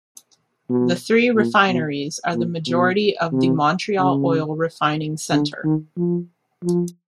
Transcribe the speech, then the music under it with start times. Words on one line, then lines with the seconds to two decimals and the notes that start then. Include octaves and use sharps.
The three refineries are the majority of the Montreal Oil Refining Center.
0.70 B2
1.36 A#2
1.69 B2
2.34 A#2
2.67 B2
3.33 C3
3.99 C#3
5.32 D3
5.64 D#3
5.97 F3
6.64 F3